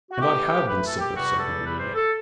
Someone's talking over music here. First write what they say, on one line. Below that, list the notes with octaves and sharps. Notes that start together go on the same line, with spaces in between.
'And I have been civil,' said Marie.
F#4
A2 E3 A3 G4
B4
A4
G4
E2 C3 G3 F#4
A4
B4
C5
A4